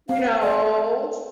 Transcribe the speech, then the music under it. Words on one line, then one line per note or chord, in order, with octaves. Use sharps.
you know
C4 F5
D5